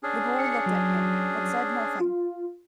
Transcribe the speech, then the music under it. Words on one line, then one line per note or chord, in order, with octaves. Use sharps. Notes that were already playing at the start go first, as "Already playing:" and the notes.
The boy looked at him, but said nothing.
C#4 D4 G#4
C#7
F#3
F4